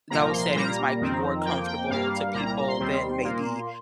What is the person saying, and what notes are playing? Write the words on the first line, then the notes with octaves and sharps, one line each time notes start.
those settings might be more comfortable to people than maybe
C2 A#2 F3 A#3 A#5
C6
A#2 G3 A#3 A#5
F2 D#3 C4
F2 F3 A#3 G5
G5
G2 G3 A#3 F5
C2 A#2 G3 A#3 A#5
A#5
A#5
C6
D#2 D#3 G3 C4
A#2 A#3